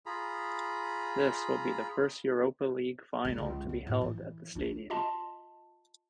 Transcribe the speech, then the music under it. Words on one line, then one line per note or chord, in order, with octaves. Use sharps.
This will be the first Europa League final to be held at the stadium.
F4 G#4 A#5 B5
C#3 G#3
C#2
C#2
A2
E3
D4 F4
F4 D#5 A5 C6